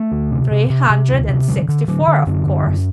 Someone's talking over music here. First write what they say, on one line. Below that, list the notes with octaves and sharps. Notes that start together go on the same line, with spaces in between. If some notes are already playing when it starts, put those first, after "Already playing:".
'Three hundred and sixty-four, of course.'
Already playing: A3
D2
C3
C3
C3
C3
D2
C3
D3 G3
D3
D3 F#3
D3
F#2 D3
F#2
F#2